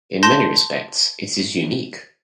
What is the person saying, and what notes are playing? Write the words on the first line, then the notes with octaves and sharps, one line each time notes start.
In many respects it is unique.
A5 C6 G6 A#6